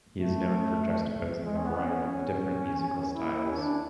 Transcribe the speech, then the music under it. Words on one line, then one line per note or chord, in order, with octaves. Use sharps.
He is known for juxtaposing a variety of different musical styles.
A3
G#3
C#4
B3
C#4
C#4
E4
C#4
D4